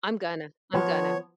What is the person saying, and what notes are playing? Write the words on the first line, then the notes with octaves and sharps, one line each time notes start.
I'm gonna. I'm gonna.
F3 B3 C#5